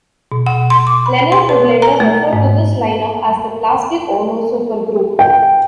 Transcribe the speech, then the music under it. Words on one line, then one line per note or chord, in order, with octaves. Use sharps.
Lennon would later refer to this lineup as "the Plastic Ono Supergroup".
B2
F#5
C6
D6
B5
C6
B4
A#5
A3
G#2
G5